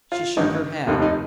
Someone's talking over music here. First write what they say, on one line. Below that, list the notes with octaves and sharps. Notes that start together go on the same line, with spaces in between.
She shook her head.
F4
A1 G2 D#3 D#4
F1 D#2 D#3
D#4